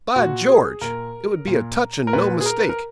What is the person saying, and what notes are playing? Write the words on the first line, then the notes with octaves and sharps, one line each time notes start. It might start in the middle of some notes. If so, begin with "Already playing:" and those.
'By George! it would be a touch, and no mistake.
A#2 F#4
G#4
A#2 A#4
A#2
A#4
A#2 B4
G#4
A#4
B4
A#4